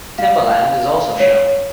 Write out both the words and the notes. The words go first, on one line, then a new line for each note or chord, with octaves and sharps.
Timbaland is also shown.
F5
C#5